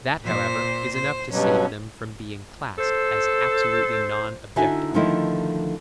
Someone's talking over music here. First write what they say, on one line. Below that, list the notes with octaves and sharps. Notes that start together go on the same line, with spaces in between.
That, however, is enough to save them from being classed as absolutely non-objective.
A#2 C5
C5
G2 B2 F#3 C#4
A4 C5
D3 D#4 E4 F#4 E5 G#5
D3 D#3 F3 A3 D#4 E4